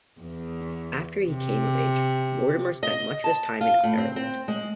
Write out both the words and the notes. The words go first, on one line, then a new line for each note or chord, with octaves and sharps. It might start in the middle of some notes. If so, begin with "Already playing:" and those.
After he came of age, Mortimer spent much of his time in Ireland.
E2
C3
D#5
A5
F4
A2
C4
C4
G#3